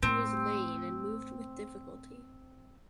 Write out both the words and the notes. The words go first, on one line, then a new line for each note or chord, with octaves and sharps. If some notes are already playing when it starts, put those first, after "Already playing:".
He was laying and moved with difficulty.
A2 C4